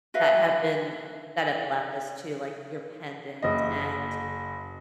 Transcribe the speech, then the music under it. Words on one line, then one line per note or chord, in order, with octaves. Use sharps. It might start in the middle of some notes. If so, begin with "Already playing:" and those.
that have been that have left us too, like your pendant, and
F#4 B4 E5 F5
F#1 D#5